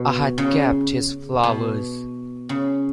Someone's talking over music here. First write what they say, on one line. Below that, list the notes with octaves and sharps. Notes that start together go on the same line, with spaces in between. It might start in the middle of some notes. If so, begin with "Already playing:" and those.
I had kept his flowers.
Already playing: B2
C#3
B2
C#3